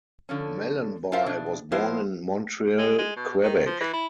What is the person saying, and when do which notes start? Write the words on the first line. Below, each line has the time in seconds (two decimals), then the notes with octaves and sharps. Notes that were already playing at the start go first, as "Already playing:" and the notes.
Mellanby was born in Montreal, Quebec.
0.29 D3 F3 C#4
1.12 F4 A4 A#4 C5 E5 F5
1.26 B2 F3 D4
1.72 F3 A#3 B3 E4 C5
2.78 G#3
2.98 G#3
3.16 B2
3.43 D#3
3.66 F3
3.80 E3
3.93 E4